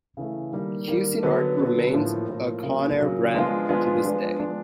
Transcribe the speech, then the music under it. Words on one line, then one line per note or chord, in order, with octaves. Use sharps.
Cuisinart remains a Conair brand to this day.
C#3 E3 A3
D#3 G3 A#3
D#3 G3 A#3
D3 F#3 B3
D3 F#3 B3
A2 F3 A#3
A2 F3 A#3
C#3 F#3 A#3
C#3 F#3 A#3
F3 G#3 B3 D4 F4
F3 G#3 B3 D4 F4
F3 G#3 B3 D4
F3 G#3 B3 D4